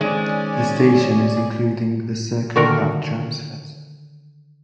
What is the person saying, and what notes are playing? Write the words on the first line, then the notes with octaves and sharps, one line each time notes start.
This station is including the CircleRoute transfers.
D#3 G#3 C4 C#4 D5 G#5
D3 D#3 D4 F#4 A#4 A#5